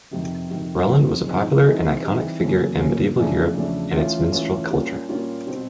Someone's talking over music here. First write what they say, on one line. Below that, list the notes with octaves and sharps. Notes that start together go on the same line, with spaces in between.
Roland was a popular and iconic figure in medieval Europe and its minstrel culture.
F2 C3 D#3
F2 C3 D#3
D3 F3 G#3 C4 D#4
D3 F3 G#3 C4 D#4
E3 G3 C4 D#4 G#4
E3 G3 C4 D#4 G#4
E2 C#3 F#3 A#3
E2 C#3 F#3 A#3
E2 C#3 F3 A3 D4
E2 C#3 F3 A3 D4
E3 A3 C#4 F4
E3 A3 C#4 F4
A#2 G3 A#3 C#4 F4
A#2 G3 A#3 C#4 F4
B2 G3 C4